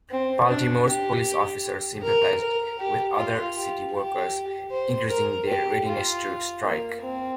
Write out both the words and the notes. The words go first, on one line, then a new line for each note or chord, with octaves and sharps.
Baltimore's police officers sympathized with other city workers, increasing their readiness to strike.
C4
D4
G4
A#4
A#4
G4
F4
G4
G4
C5
A#4
G4
F4
A#3
C4